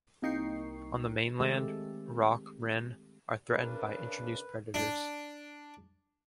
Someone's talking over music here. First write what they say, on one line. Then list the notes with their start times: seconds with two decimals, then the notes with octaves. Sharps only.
On the mainland, rock wren are threatened by introduced predators.
0.22 C2 A#3 D#4 G5 C#6 C7
1.40 D#3 G#3 A3 C4 G4 A4
3.50 C#3 D4 A#4 B4
4.74 D4